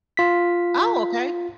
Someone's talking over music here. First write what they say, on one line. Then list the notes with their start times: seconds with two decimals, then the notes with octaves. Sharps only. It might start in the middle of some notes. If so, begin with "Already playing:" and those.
Oh, okay,
0.17 F4 B6